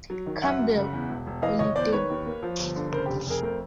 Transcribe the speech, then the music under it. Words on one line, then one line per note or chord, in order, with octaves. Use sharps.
Campbell, Olive Dame.
F#3
D#3
F#2 E5 F#5
F#2
C#3
E2
E1
E1
E3 D#5 F5
F#1 C#5 D#5
E2 C5 D5
D#3 B4 C#5
D#2
A#3
F3
G1
D3
C#3 A#4 C5
F1 G4
F2 G#4 A#4
A3 A#4 C5